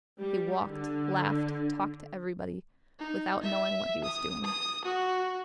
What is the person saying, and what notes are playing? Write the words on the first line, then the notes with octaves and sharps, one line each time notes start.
He walked, laughed, talked to everybody, without knowing what he was doing.
G3
D3
D#4
E5
D#6
D#6
F#4